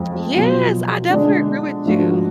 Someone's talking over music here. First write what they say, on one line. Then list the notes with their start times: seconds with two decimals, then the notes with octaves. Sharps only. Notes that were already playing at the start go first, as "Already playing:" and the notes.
Yes, I definitely agree with you.
Already playing: F2 F3 G#3
0.36 B2 F#3 B3 F4
1.10 D3 G#3 D4
1.85 G#2 F3 A3 D4 F#4